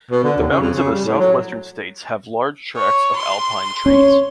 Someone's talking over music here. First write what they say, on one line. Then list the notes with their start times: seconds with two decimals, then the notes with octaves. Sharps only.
The mountains of the southwestern states have large tracts of alpine trees.
0.11 B2
0.24 D3
0.37 D#2
0.48 C#3
0.61 F2
0.74 C#3
0.91 G3
1.05 A2
1.19 F#3
2.75 C#5
3.16 C6
3.86 C#4 C#5